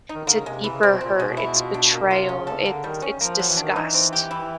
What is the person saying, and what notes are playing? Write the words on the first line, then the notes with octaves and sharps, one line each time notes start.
it's a deeper hurt, it's betrayal, it's it's disgust.
D#4
D#3
D3 A#3
C#3
C3 G#3
E3
C#3
C3 C4
B2
A#2 C4
B2
G#3
B2
E4
B2
F4
D4
A#3
B2
C3 F4
C#4
C#3
A4
D3 A#3
D#3 G3
C#4
F3 A#3
F#3
E3
D#3 D4
E3 D#4
C4
G4
E4